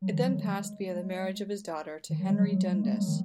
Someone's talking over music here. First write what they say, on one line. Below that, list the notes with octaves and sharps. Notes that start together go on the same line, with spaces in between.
It then passed via the marriage of his daughter to Henry Dundas.
F#3
D#3
F#3
G#3
G#3
D#3
F#3
G#3
F#3
F#3
G#3
G#3
A#3
G#3
F#3
D#3